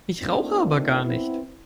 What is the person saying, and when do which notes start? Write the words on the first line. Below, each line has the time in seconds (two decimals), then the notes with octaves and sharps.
Ich rauche aber gar nicht!
0.18 A3 A#3 C4 D4 D#4 F4
1.04 B3 C4 E4